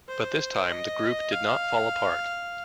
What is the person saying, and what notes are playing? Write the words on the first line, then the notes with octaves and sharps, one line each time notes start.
But this time, the group did not fall apart.
C5
D#5
F5